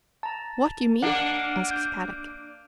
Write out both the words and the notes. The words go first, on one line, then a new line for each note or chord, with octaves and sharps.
"What you mean?" asked Kadok.
A5 A#5
A#3 D4 F#5
G6